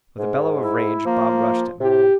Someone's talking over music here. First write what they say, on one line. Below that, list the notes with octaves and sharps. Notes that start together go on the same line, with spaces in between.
With a bellow of rage, Bob rushed him.
G#2
E4
F3 A#3
A2 C3 G4